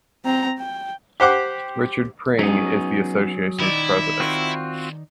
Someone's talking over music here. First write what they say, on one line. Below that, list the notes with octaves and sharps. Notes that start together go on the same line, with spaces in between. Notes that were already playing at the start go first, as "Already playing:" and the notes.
Richard Pring is the association's president.
C4 A#5
G5
G4 C5 F#5 D6
F#3 B3 C#4 D#4 G#4
D#3 D#4 E4 D5
C4 F4 F#4